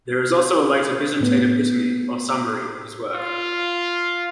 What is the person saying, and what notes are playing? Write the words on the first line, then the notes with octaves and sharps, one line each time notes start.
There is also a later Byzantine epitome, or summary, of his work.
A2 B3
F4